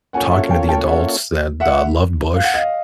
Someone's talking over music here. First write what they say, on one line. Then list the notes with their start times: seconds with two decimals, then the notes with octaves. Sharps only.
talking to the adults that, uh, loved Bush,
0.13 A#3 C#4 F4 A4 C#5 F#5 G#5
0.31 E5 F#5
0.50 F5 G5
0.69 G5 A5
0.87 E5 F#5
1.60 E5 F#5
2.34 F5
2.44 F#5
2.54 D#5 F5